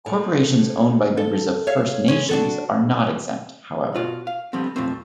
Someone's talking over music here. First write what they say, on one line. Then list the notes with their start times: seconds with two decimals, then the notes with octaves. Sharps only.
Corporations owned by members of First Nations are not exempt, however.
0.06 A2
1.17 A4
1.67 C#5 E5 F5
2.08 G#3 C#4
2.29 D4 F#4 A4
3.95 B2 F4 F#4
4.27 F5
4.53 D3 F3 G3 B3 C4
4.76 B1 F2 A2 F3 C4